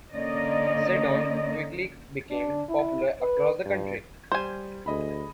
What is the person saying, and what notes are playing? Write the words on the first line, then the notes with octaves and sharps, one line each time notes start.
Seddon quickly became popular across the country.
D3 A#3 C#4 D5 D#5
D4
E4
B4
G2
G3 C5 G#5
D2 G#4 D#5 B5